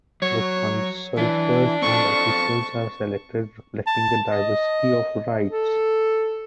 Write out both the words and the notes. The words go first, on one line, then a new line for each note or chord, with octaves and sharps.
The consultors and officials are selected reflecting the diversity of rites.
F#3 C#5
E3 D4
C4 A4 A5 C#6
A5
D#5
A4